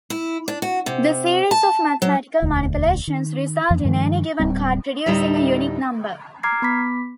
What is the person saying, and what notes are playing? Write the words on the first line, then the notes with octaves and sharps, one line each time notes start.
The series of mathematical manipulations results in any given card producing a unique number.
E4
D4
F#4
C3
A5
F#3
E1 D2
D#3
F2 E3 F3 A#3
G2 D#3 F3 G#3
D1 G#2 G3 C4
D2 A2 G3 D#4 E5
A#5 D6 F6 G#6 A#6 C7
B3 B5 D6 B6